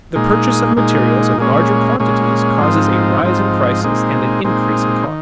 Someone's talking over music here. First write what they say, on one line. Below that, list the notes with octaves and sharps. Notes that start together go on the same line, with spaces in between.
The purchase of materials in larger quantities causes a rise in prices and an increase in costs.
A#2 G#3 D#4
A#2 G#3 D#4
A#2 G#3 C#4
A#2 G#3 C#4
G#2 F3 C4 D#4
G#2 F3 C4 D#4
A#2 G#3 C4 D#4
A#2 G#3 C4 D#4
D#3